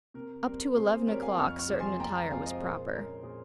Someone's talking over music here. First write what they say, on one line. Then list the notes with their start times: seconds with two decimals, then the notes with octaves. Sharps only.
Up to eleven o'clock certain attire was proper.
0.14 C3 A#4
0.45 G3 C4 A#4
0.77 C3 G#4 C5
0.92 G#4 C5
1.07 G3 C4 A#4 C#5
1.22 F5 G#5
1.38 F2 C#6 F6
1.59 C#6 F6
1.69 C3 F3 G#3
1.79 G#5 C6
2.00 F2 G5 A#5
2.15 G5 A#5
2.31 C3 F3 G#3 F5 G#5
2.46 C5 D#5
2.62 A#2 G#4 C5
2.92 G#3 C#4 A#4
3.23 A#2 G#4